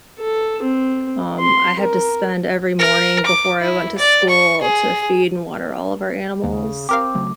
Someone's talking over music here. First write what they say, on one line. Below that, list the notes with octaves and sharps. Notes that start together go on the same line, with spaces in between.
Um, I had to spend every morning before I went to school to feed and water all of our animals.
A4
C4
C6
A#4
A#4
D6
E4
D5
C#6
G#4
D#2 C#3
C4 G4 A#4 F5 D6
C#3 F#3 A3